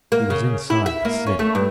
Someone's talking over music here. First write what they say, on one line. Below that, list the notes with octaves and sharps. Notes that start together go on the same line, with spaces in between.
He was inside the city.
A#3
C#3
E4
E5
A#3
C#4
A3
G2